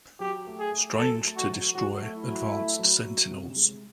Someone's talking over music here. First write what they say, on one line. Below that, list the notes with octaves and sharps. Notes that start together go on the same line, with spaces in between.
Strange to destroy advanced Sentinels.
F#3 G4
A3
G#4
A3
F#3 A4
A3
F#4
F#3
F#3 F#4
A3
E4
F#3
A3
F#3
F#3
C3
G#3